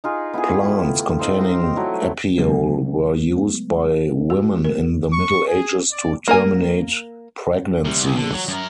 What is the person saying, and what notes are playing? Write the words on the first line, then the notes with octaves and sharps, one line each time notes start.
Plants containing apiole were used by women in the Middle Ages to terminate pregnancies.
D#4 F4 G#4
B3 E4 F4 G#4
G4 A4
C4 D#4 F5
G5 A#5 C6
F#3 A3 E4
C#3 F#3 G#3 A3 B3
F#4
A#4
C#6
G#4
D5
A#3 A#4 G#5
C3 G3
C2
D3
F#3
F#2 A#4